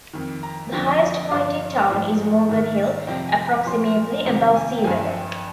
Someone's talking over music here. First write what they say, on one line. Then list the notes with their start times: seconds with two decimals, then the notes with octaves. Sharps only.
The highest point in town is Morgan Hill, approximately above sea level.
0.13 F2 D#3
0.43 A#5
0.72 F2 D3 F3 G5
0.87 D#5
1.02 D5
1.17 D#5
1.31 G2 D3 F3 F5
1.90 G#2 F3
2.49 G#2 D#3
3.07 F2 C3 F3 G5
3.28 G#5
3.47 A#5
3.66 A#2 F3 C6
4.25 F2 C3 D#3 A#5
4.55 G#5
4.78 G5
4.84 G2 F3 G#5
5.14 G5